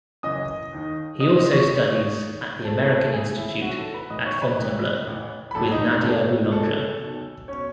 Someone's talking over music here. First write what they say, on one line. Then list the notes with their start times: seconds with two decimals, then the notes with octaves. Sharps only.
He also studies at The American Institute at Fontainebleau with Nadia Boulanger.
0.23 F#1 F#2 E3 D#5 D#6
0.73 D#2 D#3
1.20 D#2 D#3 D#5 D#6
1.36 D#5 D#6
1.53 C#5 C#6
1.69 D#2 D#3
2.17 D#2 D#3
2.65 B1 A2 E3 A4 A5
2.81 A4 A5
2.97 A4 A5
3.13 B1 A2 E3 G#4 G#5
3.38 E4 E5
3.62 B1 A2 E3 F#4 F#5
3.78 A4 A5
3.94 B4 B5
4.10 B1 A2 E3 D#5 D#6
4.26 C#5 C#6
4.42 B4 B5
4.59 A1 A2 E3
5.07 A1 A2 E3
5.51 B5
5.55 A1 A2 E3 A4 A5
5.71 D#4 D#5
6.03 A1 A2 E3 A4
6.52 B1 B2 A4
7.00 B1 B2
7.48 B2 C#4 C#5